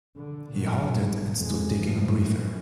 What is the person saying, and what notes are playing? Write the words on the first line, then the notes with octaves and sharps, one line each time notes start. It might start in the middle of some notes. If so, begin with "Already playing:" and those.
He halted and stood taking a breather.
D3
A#2 F#3
G1
F2 G#3
G2 F3
F#2 A2